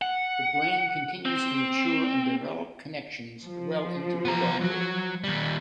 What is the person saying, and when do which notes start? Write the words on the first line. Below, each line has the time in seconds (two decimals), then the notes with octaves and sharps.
The brain continues to mature and develop connections well into adulthood.
0.02 F#5
1.25 C4
3.44 F3
4.25 B3 A#5
4.61 F#3 F#4
5.24 D#2 G3